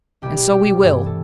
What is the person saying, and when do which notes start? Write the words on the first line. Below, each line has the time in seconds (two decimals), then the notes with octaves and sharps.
And so we will!
0.22 C2 B2 G3 G4
0.37 G4
0.52 G4
0.82 G2 E3 A3
1.06 A4